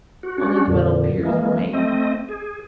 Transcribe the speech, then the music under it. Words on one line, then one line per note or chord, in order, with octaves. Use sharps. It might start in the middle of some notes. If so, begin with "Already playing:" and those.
Only the metal piers remain.
F#4
C#4 D4 F#4
F2 A#2 D3
E3 G#3 A#3
A3 C4 D#5
G#4